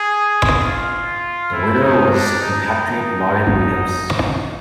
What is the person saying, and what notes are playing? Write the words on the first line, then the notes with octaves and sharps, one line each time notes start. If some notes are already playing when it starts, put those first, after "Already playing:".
The winner was compatriot Lauryn Williams.
Already playing: G#4
F4
E4
D#4
D4
D#4